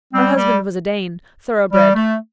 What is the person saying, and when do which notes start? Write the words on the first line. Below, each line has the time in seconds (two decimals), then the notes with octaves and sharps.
Her husband was a Dane, thoroughbred.
0.13 G3 C4
0.36 G3
1.72 G3
1.95 A3